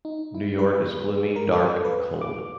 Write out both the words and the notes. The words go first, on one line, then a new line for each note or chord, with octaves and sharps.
New York is gloomy, dark and cold.
D#4
E4
B4
A#4
A4
B4
D6